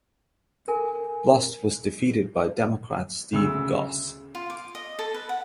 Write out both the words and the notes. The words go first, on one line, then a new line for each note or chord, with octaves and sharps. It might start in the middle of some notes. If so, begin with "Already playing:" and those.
Blust was defeated by Democrat Steve Goss.
A4 A#4 G#5
D2 C#3 E6
F4
D6
D#5
A4
B4
F#5